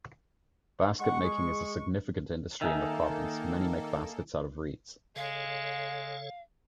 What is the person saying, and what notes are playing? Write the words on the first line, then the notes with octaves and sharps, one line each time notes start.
Basket-making is a significant industry in the province; many make baskets out of reeds.
G#3 F#5 C#6
G#4
D#3 A#3 D#4 G#4 A4 E5
C#3 G#3 A4 C#5 F5